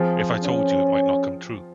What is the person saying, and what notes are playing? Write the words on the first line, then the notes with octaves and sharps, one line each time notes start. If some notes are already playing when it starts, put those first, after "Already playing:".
If I told you it might not come true.
Already playing: F3 C4 F4 G#4
C#4